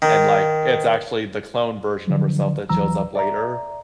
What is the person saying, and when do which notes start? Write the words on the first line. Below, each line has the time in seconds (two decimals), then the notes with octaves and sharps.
and, like, it's actually the cloned version of herself that shows up later.
0.02 D#3
2.07 D3 F3 F#3
2.69 D#2 E3 F#3 A#5 E6
3.15 D5 E5 A#5